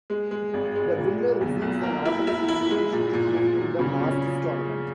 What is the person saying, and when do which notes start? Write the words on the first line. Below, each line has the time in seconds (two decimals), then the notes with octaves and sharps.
The winner receives an automatic invitation to play in the Masters Tournament.
0.10 G#3
0.31 G#3
0.53 G#1
0.75 G#3
0.97 A#2
1.19 G#3
1.41 B1
1.62 B1
1.83 A#3
2.05 E4
2.27 E4
2.48 E4
2.70 G#3
2.92 A#2
3.13 A#2
3.36 A#2
3.57 F#3
3.79 C#3
4.01 C#4